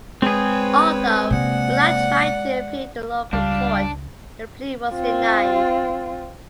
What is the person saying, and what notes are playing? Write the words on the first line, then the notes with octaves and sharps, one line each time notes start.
Although Muhlach tried to appeal to the local court, the plea was denied.
G#3 C4 G#4 B4 C#5
C3 A#3 D5 F#5
C#2 G3 D4 F5
C4 F4